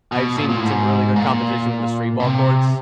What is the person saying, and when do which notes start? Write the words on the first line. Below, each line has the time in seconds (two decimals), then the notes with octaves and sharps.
I've seen some really good competition in the street ball courts.
0.12 B2
0.37 A#2
0.49 A#2
0.56 A2
0.64 G#2
1.16 A#2
2.20 C3